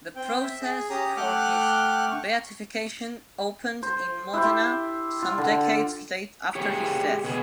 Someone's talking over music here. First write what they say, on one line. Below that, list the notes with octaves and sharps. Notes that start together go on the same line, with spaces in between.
The process for his beatification opened in Modena some decades after his death.
C4 G5
E5
G#4
C#4 G4 A#5 D#6
A3 F#5 G5 D6 F6 F#6
C#6
C5
E4 G4 C5
F4
D3
G4 G#4 C#5
B2 G#4